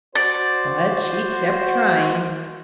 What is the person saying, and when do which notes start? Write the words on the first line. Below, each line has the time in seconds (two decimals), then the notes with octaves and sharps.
But she kept trying.
0.15 F#4 C5 D5